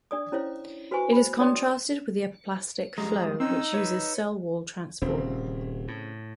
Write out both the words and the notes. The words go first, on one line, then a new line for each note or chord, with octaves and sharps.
It is contrasted with the apoplastic flow, which uses cell wall transport.
D4 D5 D#6
C#4 E4 C5 C#5 F5
F#4 B4 C5 G#5 C#6
C5 B5
D4 C#5 D5 G5 C6 D#6
F2 G3 G#3 A#5
C4 C#4 D#4 E6
B4 C#5
D#1 C#3 C4
A2